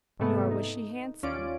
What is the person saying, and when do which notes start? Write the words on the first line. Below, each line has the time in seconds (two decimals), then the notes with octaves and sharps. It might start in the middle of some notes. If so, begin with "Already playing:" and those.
Nor was she handsome.
0.20 G#2 C3 A3 B3
0.51 D#4
1.23 D#2 C#4 F4 D5 D7